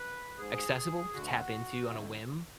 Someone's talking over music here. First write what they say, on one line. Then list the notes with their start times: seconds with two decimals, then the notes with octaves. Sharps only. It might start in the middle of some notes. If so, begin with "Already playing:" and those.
accessible to tap into on a whim.
Already playing: B4
0.38 G#2 G#4
1.14 D2 D3 F#4
1.91 F2 D3 A3